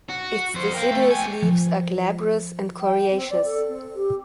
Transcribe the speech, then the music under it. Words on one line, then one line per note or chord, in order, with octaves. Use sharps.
Its deciduous leaves are glabrous and coriaceous.
F#4
F2 C5
A#4 F5 G5
A3
B3 G#5
F3
G5
C4
D5
A4
C4
G4